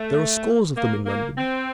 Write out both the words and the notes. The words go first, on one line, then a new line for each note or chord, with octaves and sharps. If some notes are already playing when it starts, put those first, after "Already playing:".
There are scores of them in London.
Already playing: A3
A#3
A#3
C4